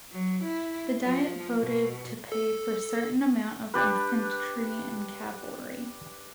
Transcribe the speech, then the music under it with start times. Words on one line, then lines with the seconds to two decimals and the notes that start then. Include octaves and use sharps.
The Diet voted to pay for certain amount of infantry and cavalry.
0.12 F#3
0.43 E4
1.04 F3
1.61 B2
2.32 A4
3.74 D4 G4 B4